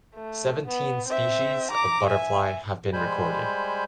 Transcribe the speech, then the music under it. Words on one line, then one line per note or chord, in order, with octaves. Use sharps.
Seventeen species of butterfly have been recorded.
A3
B3
C4 E5
A#5 D6
E5 G#5
G3 G#3 C5 G#5 B5 G6